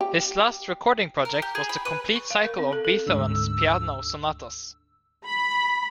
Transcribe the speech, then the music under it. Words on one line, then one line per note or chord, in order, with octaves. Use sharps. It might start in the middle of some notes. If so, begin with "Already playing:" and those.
His last recording project was the complete cycle of Beethoven's Piano Sonatas.
G4
A#4
G4
G#4
B5
B4
C#6
F5
A#4
C4
A4
A4
D2 G#2 D3 E6
B5